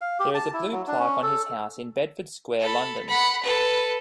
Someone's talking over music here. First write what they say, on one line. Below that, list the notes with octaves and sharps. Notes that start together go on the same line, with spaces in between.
There is a blue plaque on his house in Bedford Square, London.
F5
G4
A5
E4
F#3
D4
C#4
A4
A4 B5
F#5 B5
A4 B4